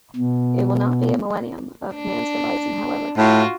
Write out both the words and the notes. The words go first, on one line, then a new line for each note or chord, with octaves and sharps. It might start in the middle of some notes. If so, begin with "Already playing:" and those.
It will not be a millennium of man's devising, however.
B2
D4
A2 F4 F#4